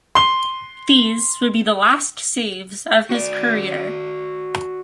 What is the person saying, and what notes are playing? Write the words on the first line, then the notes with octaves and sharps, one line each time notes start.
These would be the last saves of his career.
C6 G7
F#4 D5